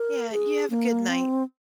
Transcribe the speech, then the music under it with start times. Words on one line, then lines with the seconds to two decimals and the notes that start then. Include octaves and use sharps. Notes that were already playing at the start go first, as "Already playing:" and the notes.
Yeah, you have a good night.
Already playing: A#4
0.31 G#4
0.70 A#3
1.09 C4